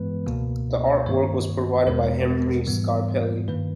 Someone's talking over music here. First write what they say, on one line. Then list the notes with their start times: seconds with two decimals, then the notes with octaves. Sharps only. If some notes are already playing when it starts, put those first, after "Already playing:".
The art work was provided by Henry Scarpelli.
Already playing: G2 E3 G#3 B3 B4
0.27 C#2 B2 A#3
1.06 G2 D#3 A#3 C#5
1.87 E2 B2 G#3 B3 A#4
2.67 G#2 E3 G3 B3
3.48 G2 D#3 A#3 B4